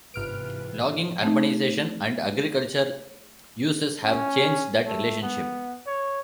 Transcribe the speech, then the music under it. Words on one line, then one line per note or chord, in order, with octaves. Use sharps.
Logging, urbanization, and agriculture uses have changed that relationship.
G1 G#2 C3 E3 F4 B4 F6 D7
A3 C4 D#4
C#4
A3
B3
C#5